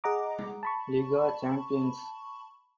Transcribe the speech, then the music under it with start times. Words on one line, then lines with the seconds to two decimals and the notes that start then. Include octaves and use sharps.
Liga champions.
0.04 G#4 D#5 F#5 A#5 D6
0.63 A5 B5 C#6